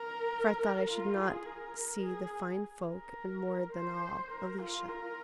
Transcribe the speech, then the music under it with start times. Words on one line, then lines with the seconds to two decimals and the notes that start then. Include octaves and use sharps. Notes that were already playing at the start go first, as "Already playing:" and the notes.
For I thought I should not see the fine folk and, more than all, Alicia.
Already playing: A#4
0.89 F4
1.18 G#4
1.46 A#4
2.03 G#4
2.89 A#4
3.74 C5
4.32 A#4
4.60 F4
4.88 A#4